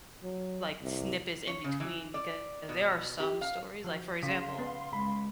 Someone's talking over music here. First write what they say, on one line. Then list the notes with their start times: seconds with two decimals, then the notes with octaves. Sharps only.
like snippets in between; because there are some stories like, for example,
0.23 F#3
0.83 C2
1.47 C#5
1.64 C#3
1.80 E3
2.14 D5
2.69 B2
3.20 G4
3.41 F5
3.84 F3 F#4
4.23 C#3 F5 C6 B6
4.59 B3
4.93 C#2 B5